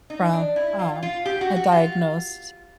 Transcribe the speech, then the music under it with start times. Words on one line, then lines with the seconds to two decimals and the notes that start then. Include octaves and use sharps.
from, um, a diagnosed
0.10 D#4
0.33 D4
0.56 E4
0.79 F4
1.03 F4
1.26 G4
1.41 F#4
1.56 F#4
1.72 F4